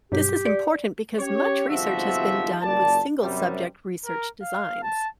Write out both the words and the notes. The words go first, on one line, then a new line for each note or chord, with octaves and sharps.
This is important because much research has been done with single-subject research designs.
G2 B2 F#3 G4
D5 C#7
C#4 G4 C#5
G1 G#2 C3 F3 F#4 E5
F#1 A#2 D5 A5
F#2 C3 G3
A#4
F5
A5